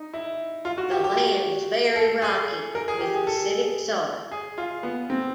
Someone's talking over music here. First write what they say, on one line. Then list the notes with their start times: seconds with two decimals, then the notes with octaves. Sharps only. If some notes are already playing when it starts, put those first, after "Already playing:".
The land is very rocky with acidic soil.
Already playing: D#4
0.13 E4
0.65 F4
0.78 F#4
0.91 G4
1.04 G4
1.96 A4
2.22 G#4
2.75 A#4
2.88 G#4
3.01 G4
3.14 G#4
3.27 A4
4.32 G#4
4.58 F4
4.83 B3
5.10 C4